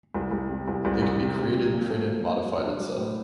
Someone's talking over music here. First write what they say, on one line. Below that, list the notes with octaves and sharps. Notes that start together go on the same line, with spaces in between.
They can be created, traded, modified and settled.
C2
C2
C3
C2
C2
C2
C3
C2
F#3
A#2
A3
A#2
A#2
F#3
D4
F#3
A2